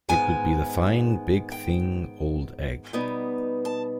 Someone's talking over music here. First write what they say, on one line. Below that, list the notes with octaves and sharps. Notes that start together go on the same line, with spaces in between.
It would be the fine, big thing, old egg.
G#2 D#3 G#3 B3 G#5
G5
B2 G3 B3 D#4
A5